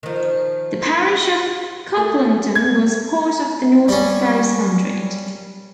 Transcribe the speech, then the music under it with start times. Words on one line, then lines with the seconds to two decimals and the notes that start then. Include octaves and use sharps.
The parish of Cucklington was part of the Norton Ferris Hundred.
0.03 D#3 F3
1.97 A3
2.55 G#6
3.88 G3 C#4